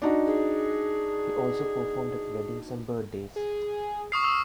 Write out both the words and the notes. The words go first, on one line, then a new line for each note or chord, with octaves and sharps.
He also performed at weddings and birthdays.
D4 D#4 F#4
G#4
G#4
C#6 D#6 F6 C7
E6